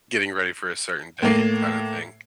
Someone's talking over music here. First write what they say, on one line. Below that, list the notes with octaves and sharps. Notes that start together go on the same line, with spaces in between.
getting ready for a certain date kinda thing.
A2 A#3 C7